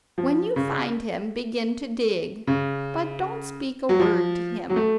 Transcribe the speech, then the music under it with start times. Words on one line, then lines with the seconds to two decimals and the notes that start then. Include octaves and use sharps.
When you find him begin to dig, but don't speak a word to him.
0.18 F3
0.56 C#3
2.47 C#3
3.89 F#3
4.00 F3
4.70 F#3
4.76 A3